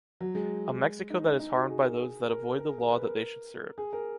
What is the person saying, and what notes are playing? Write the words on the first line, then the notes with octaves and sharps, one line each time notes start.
A Mexico that is harmed by those that avoid the law that they should serve.
F#3
G#3
D#4
D#4
F#4
G#4
A#4
G#4
A#4
A#4
G#4
A#4
B4
A#4
G#4
A#4